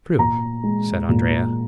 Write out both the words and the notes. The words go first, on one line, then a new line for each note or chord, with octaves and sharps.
"True," said Andrea.
A#2 A#5
G#3
A#2